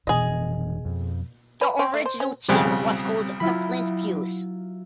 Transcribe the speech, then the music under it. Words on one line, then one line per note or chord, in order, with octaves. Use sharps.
The original team was called the Flint Fuze.
F1 B2 E3 G#4 D#5
F2
B4
C4
A3
C5
C#4
B1 F2 C#3 G3 C4
F#3 E4 F4 B5